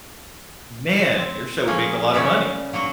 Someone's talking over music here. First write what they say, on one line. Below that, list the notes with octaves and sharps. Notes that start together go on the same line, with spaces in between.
Man, your show would make a lotta money.
C4
F3 A#3 C#4 G#4 A#4
C#3 G3 C#4 D5 E5
F#3 A#3 F#4